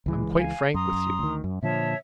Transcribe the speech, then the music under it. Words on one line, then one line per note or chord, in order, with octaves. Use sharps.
I'm quite frank with you.
C#2 E3 G#3
F5 G#5
F#2 A#5 C6 D#6
D2 D#3
F#2
A#2 D3 F3 C#5 E5 A5